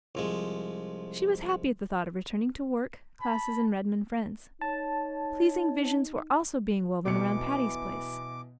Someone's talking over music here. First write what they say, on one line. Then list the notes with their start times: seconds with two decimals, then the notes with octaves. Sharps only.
She was happy at the thought of returning to work, classes and Redmond friends. Pleasing visions were also being woven around Patty's Place.
0.15 C2 F3 G#3
3.21 A5 B5
4.61 D#4 C#5 A5
7.05 B1 F2 B2 E3 A3 D6 C#7